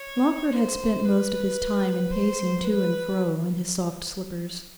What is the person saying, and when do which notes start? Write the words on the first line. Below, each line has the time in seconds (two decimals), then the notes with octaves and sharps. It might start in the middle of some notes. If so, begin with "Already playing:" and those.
Lawford had spent most of his time in pacing to and fro in his soft slippers.
Already playing: C#5
0.53 C5
1.06 B4
2.12 C5
2.64 B4